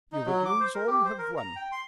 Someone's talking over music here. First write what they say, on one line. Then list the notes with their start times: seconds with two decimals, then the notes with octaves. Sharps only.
You would lose all you have won.
0.12 D#4
0.26 F#3
0.45 D6
0.60 C5
0.75 A#4
0.87 G4
1.05 C5
1.18 A#4
1.37 A#5
1.56 G5
1.72 C6